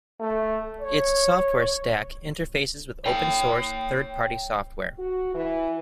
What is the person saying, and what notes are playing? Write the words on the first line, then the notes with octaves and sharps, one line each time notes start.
Its software stack interfaces with open source third-party software.
A3
C#5
C#5 G5
F#4
E3